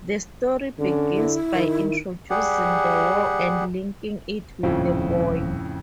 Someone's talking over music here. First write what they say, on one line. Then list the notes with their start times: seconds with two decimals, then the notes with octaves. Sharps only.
The story begins by introducing the war and linking it with the boy.
0.79 D3 C#4
1.14 E4
1.54 D#3
2.30 G3 G4 G#4 F#5
4.63 D#1 F2 A2 C#3 F3